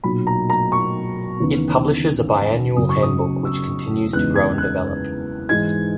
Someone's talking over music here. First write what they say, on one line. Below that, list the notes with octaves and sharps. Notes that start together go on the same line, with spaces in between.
It publishes a bi-annual handbook which continues to grow and develop.
B1 A#2 F#3 B5
A#5
A#5
C#6
D#2 C#3 E3 B3
F#1 F#2 C#3 F#3 D#6
C#6
D#6
E6
E2 C#3 G#3 D#4 F#6
G#6
F#6
G#2 E3 G#3 D#4 G#6